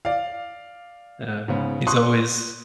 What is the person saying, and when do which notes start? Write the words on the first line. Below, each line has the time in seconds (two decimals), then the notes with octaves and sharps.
um, he's always
0.05 D5 F5
1.48 G#2 C#3 B3
1.87 C6 C#6 D#6 F#6